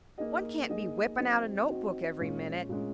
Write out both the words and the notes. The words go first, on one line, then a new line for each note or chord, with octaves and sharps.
One can't be whipping out a note-book every minute.
A#3 D#4 G#4 D#5
A#3 D#4 G#4 D#5
F#3 C4 D#4 F#4
F#3 C4 D#4 F#4
A#2 G#3 C#4
A#2 G#3 C#4